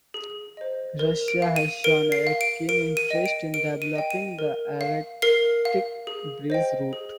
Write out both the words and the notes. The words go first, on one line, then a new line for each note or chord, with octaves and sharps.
Russia has shown a keen interest in developing the Arctic Bridge route.
G#4
C5 D#5
A#4
D7
F5
D#7
A#4 D7
C7
F5
D7
A#4 D7
D#7
D#5 G5
D7
A#4 D7
D#7
D#5 G5
D#7
A#4
F5
A#4 C7
F5
G#4
C5 D#5 G5
G#4